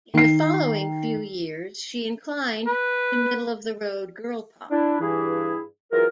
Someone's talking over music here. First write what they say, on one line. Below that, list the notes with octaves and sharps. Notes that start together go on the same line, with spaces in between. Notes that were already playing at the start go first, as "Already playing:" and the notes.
In the following few years, she inclined to middle-of-the-road girl pop.
D#3 C7
B4
D4 E4
G2 E3 E4 G#4
E3 F#3 F4 G#4 A#4